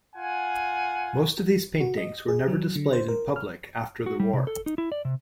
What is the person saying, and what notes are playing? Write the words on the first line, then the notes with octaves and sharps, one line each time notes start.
Most of these paintings were never displayed in public after the war.
F4 F#5 G#5
F#4
D#5
G#4
F#3
D3
C5
A#4
F6
F#4
G3
C3
A4
D#4
E4
D5
C3